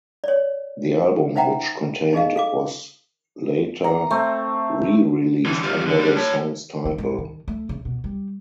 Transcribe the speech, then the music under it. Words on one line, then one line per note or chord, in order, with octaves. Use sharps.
The album which contained it was later re-released under the song's title.
C#5 D5
D#4 C5 E5 F#5 G5 A#5
D#4 G#4 D#5 F5
A4 F5 D6
A#5
A3 C4
D3 E3
G3 F4
D3
G3 D4
C#5 A5
D#3
G#2
D#3
A3
C#3
B2
G3